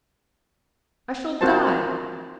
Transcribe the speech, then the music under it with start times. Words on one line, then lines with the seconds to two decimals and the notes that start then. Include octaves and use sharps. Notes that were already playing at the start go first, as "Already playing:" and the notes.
I shall die!
1.41 C4 F4 F#4 A#4 C5 A5